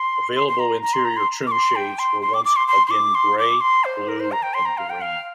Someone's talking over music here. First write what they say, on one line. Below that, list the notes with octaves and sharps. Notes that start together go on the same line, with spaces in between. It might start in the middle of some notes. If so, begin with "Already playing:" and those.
Available interior trim shades were once again gray, blue, and green.
Already playing: C6
C6
C6
A#5
A#5
C6
A#5
C6
D6
C6
G5
C6
C6
D6
D6
C6
C6
C6
D6
C6
D6
C6
C5
A#4
C5
A#5
G5
C6
A#5
F5
G5
F5